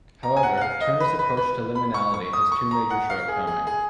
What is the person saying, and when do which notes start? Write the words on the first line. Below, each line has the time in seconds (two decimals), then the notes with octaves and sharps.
However, Turner's approach to liminality has two major shortcomings.
0.23 A#5
0.36 G#5
0.43 F#5
0.57 F#5
0.61 F5
0.81 D#5
1.00 B4
1.19 B4
1.37 B4
1.75 B5
1.94 C#6
2.14 C#6
2.33 D#6
2.52 C#6
2.71 A#5
2.90 F#5
3.10 F5
3.28 G#4
3.47 G#4
3.67 G#4